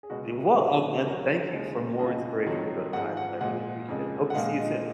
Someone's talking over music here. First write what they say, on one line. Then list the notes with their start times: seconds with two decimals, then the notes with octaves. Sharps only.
It wa and and thank you for more inspiration to go to Thailand. I really appreciate it. Hope to see you soon.
0.03 G#4
0.10 C#2 B2 G#3 F#4
0.58 A#2 F#3
0.97 B4
1.05 D#2 C#3 F#3 A#4
1.51 D#2 C#3 G#3
1.99 F2 C#3 F3 G#3 D#5
2.46 F2 D#3 F#3
2.93 G#2 F3 G#3 F#5
3.17 F#5
3.41 A#2 G#3 F#5
3.88 F2 C#3 G#3
4.30 F#5
4.35 A#2 F3 G#3 F5
4.59 D#5